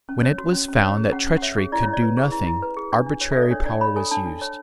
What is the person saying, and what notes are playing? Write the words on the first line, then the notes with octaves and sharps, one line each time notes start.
When it was found that treachery could do nothing, arbitrary power was used.
C#4
C#5
F#4
C#4
C#4
C#5
G#4
C#4 F#5
C#4
F#5
C#5 E5
G#4
E4 D5
E4 C#5
D5
B4
G#4
E4
E4
B4
G#4
D4
D4
C#5
E5
A4
D5
D4 C#5
D4 D5
C#5 B5
A4 G#5
D4 A5
D4
C#5